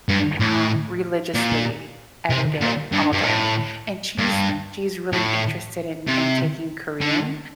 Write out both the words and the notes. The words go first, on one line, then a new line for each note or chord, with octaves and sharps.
um, religiously, every day, all day. And she's she's really interested in in taking Korean,
G2
A2
A#2
C3
A#2
G2
G2
A2
G2
A2
C3
D3